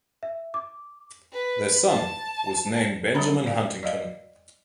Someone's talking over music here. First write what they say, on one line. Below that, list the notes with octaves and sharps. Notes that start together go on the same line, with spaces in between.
Their son was named Benjamin Huntington.
E5
D6
B4
A5
F#3 G3 C4 C#5 A#5 B5
D5 F5
D5 D#5 F5